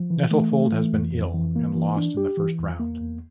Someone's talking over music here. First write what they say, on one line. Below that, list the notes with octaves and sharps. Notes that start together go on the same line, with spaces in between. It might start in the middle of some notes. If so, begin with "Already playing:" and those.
Nettlefold had been ill and lost in the first round.
Already playing: F3
E3
A3
A3
E3
F2
F2
E3
A#3
E3
D4
G4
E3
E2
A#3
E2